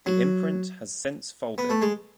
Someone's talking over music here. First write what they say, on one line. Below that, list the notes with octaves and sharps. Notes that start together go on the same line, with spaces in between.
The imprint has since folded.
F#3
B3
A3
G#3